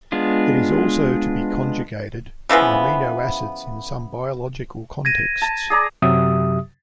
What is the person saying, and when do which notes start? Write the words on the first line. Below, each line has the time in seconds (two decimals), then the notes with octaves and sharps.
It is also be conjugated to amino acids in some biological contexts.
0.12 G#3 B3 D4 F4
2.49 C#3 E3 F3 B3
5.05 G#6 A#6 D#7
5.42 A5
5.70 G#4 D5 A#5
6.02 F#2 C3 F#3 G4 E5 D#6